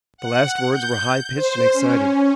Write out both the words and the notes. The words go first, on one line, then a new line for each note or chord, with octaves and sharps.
The last words were high-pitched and excited.
F#5
G6
C5
C#4